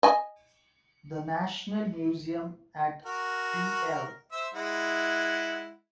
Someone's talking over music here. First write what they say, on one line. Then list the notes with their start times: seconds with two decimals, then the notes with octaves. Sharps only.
The National Museum at pl.
0.03 D#5 G#5
3.06 F#4 A#4
4.32 C5 E5
4.54 G#3 E4 F#5